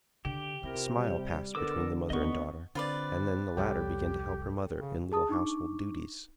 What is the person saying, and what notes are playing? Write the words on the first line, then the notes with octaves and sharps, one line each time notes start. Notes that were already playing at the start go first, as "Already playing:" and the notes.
A smile passed between the mother and daughter; and then the latter began to help her mother in little household duties.
D3 G4
C3 C4 E4 F4 A#4
G3
D3 B3 A4 A#4 D6 E6
B3 C4 D#5 C#6
D3 C4 F4 B4 D5
C2 F2 G3 G4 A4 C#5 G5
C#3
G#4 A5 D#6
D4 D#4 C#6 D6